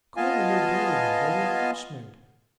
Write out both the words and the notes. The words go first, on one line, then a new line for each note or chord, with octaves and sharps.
Call me your dairymaid or your housemaid.
B3 F4 D#5 F5 G#5 A5